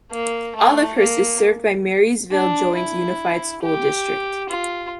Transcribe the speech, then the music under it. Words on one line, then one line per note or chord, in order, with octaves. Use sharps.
Olivehurst is served by Marysville Joint Unified School District.
A#3
A3
A#3
D4
E4
G4
F4